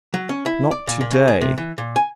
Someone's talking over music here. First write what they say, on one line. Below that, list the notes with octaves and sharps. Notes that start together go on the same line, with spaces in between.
"Not to-day."
F#3
C#4
E4
D5
A#2
A#2
C#3
G#4
C3
E3
A#2
G#5